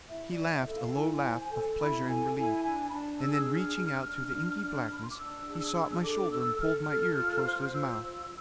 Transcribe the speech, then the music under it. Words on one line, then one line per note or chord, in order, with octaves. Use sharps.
He laughed a low laugh of pleasure and relief, and then reaching out through the inky blackness he sought my shoulder and pulled my ear close to his mouth.
E4 E5
D5
E4
E5
A4 E5
F5
E4 G#5
C5
A4
E4 B5
A4 G#5
E4 G#5
D4 G#5
B5
D4 A5
G#4 E6
D4 F6
D4
D4
D4
D4
D4 B5
C6
D6
D4 E6
G#4
D4
A4 D6
A4 E6
A4 F6
F6
A4
F4
C5
F4 E6
C5